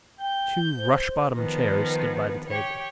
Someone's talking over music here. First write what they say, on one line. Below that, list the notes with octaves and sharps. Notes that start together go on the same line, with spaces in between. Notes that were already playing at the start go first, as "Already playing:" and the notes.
Two rush-bottom chairs stood by the table.
G5 G6
C5
D#3 F3 B3 B4
G4 C#5